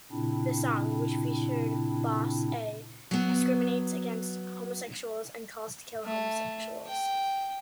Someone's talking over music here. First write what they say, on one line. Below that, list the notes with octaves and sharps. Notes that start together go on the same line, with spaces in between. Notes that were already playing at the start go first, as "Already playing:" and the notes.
The song, which featured Boss A, discriminates against homosexuals and calls to kill homosexuals.
A#2 C#3 C4 D4 E4
F#3 B3
A3
G5